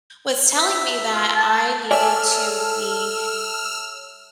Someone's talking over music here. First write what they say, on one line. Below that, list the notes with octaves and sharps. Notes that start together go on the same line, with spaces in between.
was telling me that I needed to be
E5
F4
A5
A4 C#5 D5 E5 G#5 A5 E6 F6